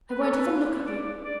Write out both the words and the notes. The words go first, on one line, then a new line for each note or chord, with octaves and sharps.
I won't even look at you.
B4
A4
B4
D5
D5